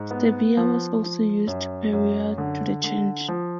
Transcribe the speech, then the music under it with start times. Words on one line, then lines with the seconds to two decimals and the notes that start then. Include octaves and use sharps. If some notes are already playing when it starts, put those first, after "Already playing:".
Stevia was also used prior to the change.
Already playing: G#2
0.11 B3
0.57 F3
1.03 F3
1.47 F#2
1.93 F#2
2.38 D3
2.84 D3
3.29 F3